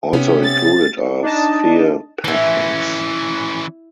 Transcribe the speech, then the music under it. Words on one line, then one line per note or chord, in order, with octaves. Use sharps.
Also included are sphere packings.
C3 B3 C#4
A6
D4 D#4 D#5 A5
E3 C#4 E4 C6